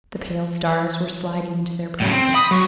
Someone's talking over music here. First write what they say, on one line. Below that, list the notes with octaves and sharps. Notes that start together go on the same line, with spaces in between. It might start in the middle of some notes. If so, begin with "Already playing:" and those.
The pale stars were sliding into their places.
A2 C#3
C4
B5 D#6
F#3 C#6